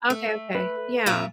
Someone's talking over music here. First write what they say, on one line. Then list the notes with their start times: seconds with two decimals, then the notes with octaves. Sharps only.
Okay, okay, yeah.
0.10 A3
0.55 B4
1.06 A#2 F4 E5